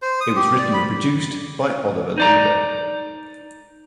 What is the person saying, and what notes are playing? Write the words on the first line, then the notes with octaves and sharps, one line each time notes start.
It was written and produced by Oliver Leiber.
C5
D#6
G4
D5
B5
D#4 D5 A#5